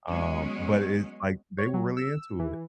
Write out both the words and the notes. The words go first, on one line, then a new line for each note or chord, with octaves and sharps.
um but it's like, they were really into it.
F#3 G#3 B3 C#4
C#5
F#3
E6
E3